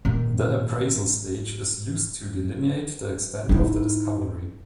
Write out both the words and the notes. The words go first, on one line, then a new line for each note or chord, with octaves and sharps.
The Appraisal stage is used to delineate the extent of the discovery.
A#2 D#3
D#4 E4